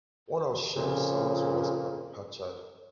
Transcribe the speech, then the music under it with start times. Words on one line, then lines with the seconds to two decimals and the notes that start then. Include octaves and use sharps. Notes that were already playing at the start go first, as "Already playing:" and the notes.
One of Shem's sons was Arpachshad.
0.77 F2 A#2 C#3